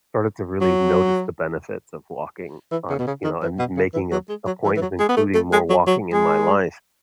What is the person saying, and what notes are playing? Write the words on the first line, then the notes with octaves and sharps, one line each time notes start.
started to really notice the benefits of walking on, you know, and making a a point of including more walking in my life,
F#3
E3
C#3
B2
C#3
D#3
E3
B2
C#3
E3
F#3
G#3
F#3
E3
E3
F#3
G#3
B3
A3
A3
G#3
F#3
F#3
G#3